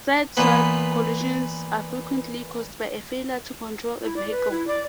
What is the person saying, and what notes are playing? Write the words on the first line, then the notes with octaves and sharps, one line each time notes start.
Sideswipe collisions are frequently caused by a failure to control a vehicle.
A#2 E3 A#3 B3
E4
D5
B4
E4
D5